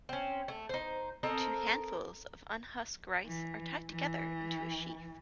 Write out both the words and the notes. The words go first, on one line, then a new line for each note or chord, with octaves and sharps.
Two handfuls of unhusked rice are tied together into a sheaf.
C4 C#4
A3
D#4 C5
C4 A4 A#4 D#5
E3
E3